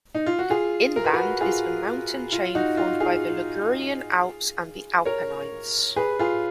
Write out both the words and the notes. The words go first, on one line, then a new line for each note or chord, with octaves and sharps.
Inland is the mountain chain formed by the Ligurian Alps and the Apennines.
D#4
F4
F#4
F4 G#4
A#4
B4
F#4 A#4
F4 G#4
F4
D#4 F#4
F4
F4 G#4
A#4 C#5
G#4 B4
F4 G#4